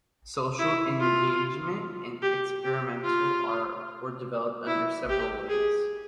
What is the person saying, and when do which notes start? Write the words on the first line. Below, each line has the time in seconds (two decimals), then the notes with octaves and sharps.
Social engagement and experimental art were developed under several ways.
0.59 E4
0.99 F4
2.22 G4
2.64 G4
3.04 F4
4.67 E4
5.09 G4
5.49 G#4